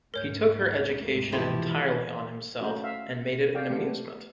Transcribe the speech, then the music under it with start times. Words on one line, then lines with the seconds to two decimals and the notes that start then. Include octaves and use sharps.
He took her education entirely on himself, and made it an amusement.
0.14 D2 G#2 A#4 C#5 G6
1.32 E3 F3 E4 G4
2.60 A3 A#3 C#4 F#4 C5 D#5
2.84 E5 F5
3.55 D5 F5 G5
3.70 A3 B3 G4